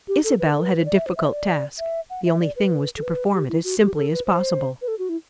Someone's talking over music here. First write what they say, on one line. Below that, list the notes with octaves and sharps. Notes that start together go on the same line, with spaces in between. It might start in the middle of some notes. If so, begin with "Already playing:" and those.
Isabel had a difficult task--the only thing was to perform it as simply as possible.
G4
A4
B4
A4
B4
C5
D5
E5
C5
E5
C5
D5
E5
F#5
E5
D5
B4
A4
B4
G4
E4
F#4
G4
A4
B4
C5
B4
A4
F#4
E4